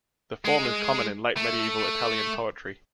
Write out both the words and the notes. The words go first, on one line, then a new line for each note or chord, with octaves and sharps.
The form is common in late medieval Italian poetry.
G#3
A3